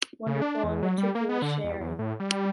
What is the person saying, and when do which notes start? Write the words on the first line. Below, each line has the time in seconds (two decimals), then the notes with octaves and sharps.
Wonderful and meticulous sharing.
0.27 C#3
0.42 D4
0.64 E2
0.83 F#3
0.98 G3
1.15 A#3
1.29 B3
1.42 D3
1.64 E2
1.80 E2
1.99 A2
2.20 G3